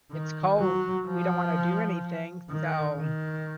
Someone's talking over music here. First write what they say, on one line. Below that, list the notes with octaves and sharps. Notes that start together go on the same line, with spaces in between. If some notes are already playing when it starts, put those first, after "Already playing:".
it's cold. We don't wanna do anything. So,
D#3
F#3
F3
D#3
D#3